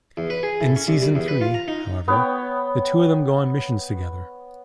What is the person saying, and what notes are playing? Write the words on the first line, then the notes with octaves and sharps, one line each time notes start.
In season three, however, the two of them go on missions together.
E2
B4
G#4
A2
C#4
C2
G3
E2
B4
F4
A#5
D#4
B3 C#5 G5